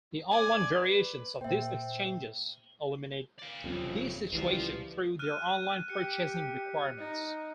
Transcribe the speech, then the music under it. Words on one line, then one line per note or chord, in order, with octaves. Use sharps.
The online variations of these exchanges eliminate this situation through their online purchasing requirements.
D5 G#5
B4
A#2 A#3 C5 E5 G5
D5 F5
F#1 F2 C#3 G3
C#2 E3 G3 F4 C5
F6 F#6 D#7
G4 C#7
D#4